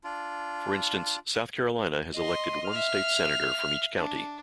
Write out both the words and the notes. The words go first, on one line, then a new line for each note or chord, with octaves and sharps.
For instance, South Carolina had elected one state senator from each county.
D4 F4
D#5 C6
E5 F5 F6
D4